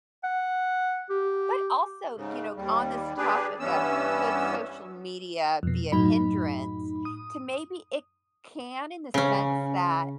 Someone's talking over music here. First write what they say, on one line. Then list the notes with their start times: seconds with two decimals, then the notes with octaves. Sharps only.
but also, you know, c on this topic of "Could social media be a hindrance?" To maybe it can in the sense that
0.24 F#5
1.10 G4
2.16 G#2 C#3
2.56 D#2 G3
3.17 D4 G4 G#4 B4
3.60 G2 E3 B3 C#4 E6
5.63 F2 B2
5.92 F#2 A2 F#3 D#4 B5
7.05 D#6
9.14 C#3 C#4